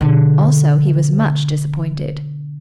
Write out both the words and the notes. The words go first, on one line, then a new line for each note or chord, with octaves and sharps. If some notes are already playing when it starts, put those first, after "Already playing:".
Also, he was much disappointed.
B2 D3